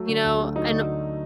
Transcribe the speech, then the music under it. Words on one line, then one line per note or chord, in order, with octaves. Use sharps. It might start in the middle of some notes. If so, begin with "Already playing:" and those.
you know, and
Already playing: F#3 A3
D3
D2
A3
F#3 D#4
D3